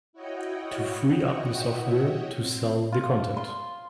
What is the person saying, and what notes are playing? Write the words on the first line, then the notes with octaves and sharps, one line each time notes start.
To free up the software, to sell the content.
E4 F#4 C#5 D#5 F#5 G5
C4
F4
C6